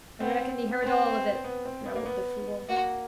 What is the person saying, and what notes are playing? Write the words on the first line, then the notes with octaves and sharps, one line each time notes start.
"I reckon he heard all of it," growled the fool.
B3 C4
B3 C4
B3
C4
B3
A#3
B3
A#3 F#4